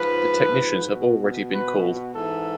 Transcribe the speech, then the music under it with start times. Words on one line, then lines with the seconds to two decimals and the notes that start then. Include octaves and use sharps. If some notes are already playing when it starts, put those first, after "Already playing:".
The technicians have already been called.
Already playing: G#2 F3 B4
0.92 B2
1.53 B4
2.15 G#2 E3 A4